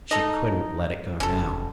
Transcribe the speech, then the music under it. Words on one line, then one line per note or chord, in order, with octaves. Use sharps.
She couldn't let it go now.
D#4 A4 D#5
F1 C#4 A4